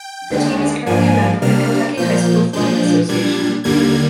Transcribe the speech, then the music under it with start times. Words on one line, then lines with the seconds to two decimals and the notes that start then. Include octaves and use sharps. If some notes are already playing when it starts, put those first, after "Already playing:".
The team is currently a member of the Kentucky High School Athletic Association.
Already playing: G5
0.30 D#2 D3 G#3 D4
0.86 G#2 F3 A#3 D4 G#5
1.42 C3 G3 A#3 D4 F6
1.97 A#2 F3 A#3 G6
2.53 A#2 F3 G#3 D4 G6
3.09 A#2 G3 D4 G#6
3.64 D#2 D3 G3 A#3 G#6